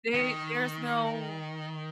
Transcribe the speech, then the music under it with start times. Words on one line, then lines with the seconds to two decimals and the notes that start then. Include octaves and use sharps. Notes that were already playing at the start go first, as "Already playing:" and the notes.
they there's no
0.14 D#3